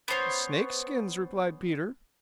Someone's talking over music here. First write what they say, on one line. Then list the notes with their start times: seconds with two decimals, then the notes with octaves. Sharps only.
"Snake skins," replied Peter.
0.08 B3 C#4 C5 C#5